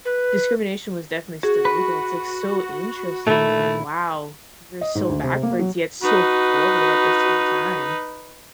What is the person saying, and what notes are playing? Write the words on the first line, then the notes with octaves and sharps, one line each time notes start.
discrimination was definitely still legal, it's like so interesting, like, "Wow, we were so backwards yet so forward at the same time."
B4
F#4 G#4
B4
A#2 D#3 A3 E4
D#5
G#2
D2
C3
A#3
F#3
D#4 F#4 B4